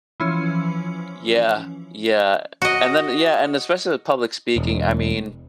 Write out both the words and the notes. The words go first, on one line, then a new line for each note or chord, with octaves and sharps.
Yeah, yeah, and then yeah, and especially with public speaking, I mean,
E3 F3 C#4
F#4 D#5
E1